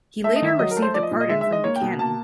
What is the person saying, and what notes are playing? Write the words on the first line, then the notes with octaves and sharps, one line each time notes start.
He later received a pardon from Buchanan.
A3 E5
D#5
D#3
E5
F#3 D#5
A#4
A3
C5
F3 D5
D#5
A#2
D#5
G#3 E5
E5
G#3
D#5
A#3 C#5
G5
B2
A#3 A5